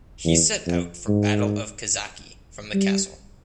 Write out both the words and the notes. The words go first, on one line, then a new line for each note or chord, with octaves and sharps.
He set out for Battle of Kizaki from the castle.
E2
F2
G#2
G3